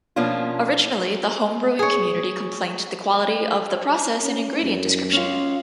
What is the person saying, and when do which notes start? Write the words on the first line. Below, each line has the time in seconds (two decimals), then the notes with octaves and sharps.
Originally, the homebrewing community complaint the quality of the process and ingredient description.
0.16 B2 F3 A#3 C#4 D4 F4
1.79 G#4 C#5
4.22 C#4
4.62 F#2
5.13 C#4 F4